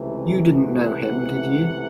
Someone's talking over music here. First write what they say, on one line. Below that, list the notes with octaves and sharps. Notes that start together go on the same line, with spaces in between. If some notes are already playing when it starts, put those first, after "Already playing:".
You didn't know him, did you?
Already playing: C#2 C3 E3 A3
F#5